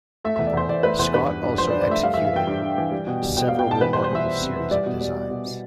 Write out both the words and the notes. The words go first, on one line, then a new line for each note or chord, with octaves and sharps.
Scott also executed several remarkable series of designs.
A3 E5
E2 E5
D5
E2 C5
E2 D5
A3 B4
E2 C5
G2 B4
G2
G2
F3 C5
D5
G2
D5
A3 E5
G3 F5
E3 E5
F5
E3 G5
G2
G2
E3
G3
B2
G3
B2 G5
G3 F5
G5
B2 A5
E3 B4
C5
G3
C5
E3 E5
G3
C3
E3
G3 D5
B2
G3
G3
B2
B2